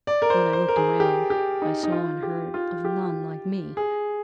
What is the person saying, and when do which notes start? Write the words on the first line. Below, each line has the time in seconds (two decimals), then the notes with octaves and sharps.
When I looked around I saw and heard of none like me.
0.07 D5
0.22 A#4
0.30 C5
0.53 C5
0.68 A#4
0.76 G#4
1.00 G4
1.30 G4
1.62 D#4
1.83 D#4
1.92 F4
2.23 G4
2.54 F4
2.85 G4
3.77 G#4